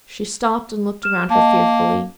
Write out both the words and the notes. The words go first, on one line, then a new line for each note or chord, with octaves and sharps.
She stopped and looked around her fearfully.
F6 E7
A#3 D#5 A5